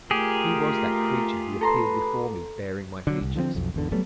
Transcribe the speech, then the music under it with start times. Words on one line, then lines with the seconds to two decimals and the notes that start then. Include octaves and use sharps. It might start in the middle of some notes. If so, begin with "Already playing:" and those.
Who was that creature who appeared before me bearing my features?
0.11 A3 F4 G4 G#4 A#4
1.61 A4 B4 A#5 C6
3.07 D3 F#3
3.21 C2
3.35 D3 F3 B3 C4
3.55 B1 F2
3.74 G#1 E2 D3
3.92 F#3 G3 A3 B3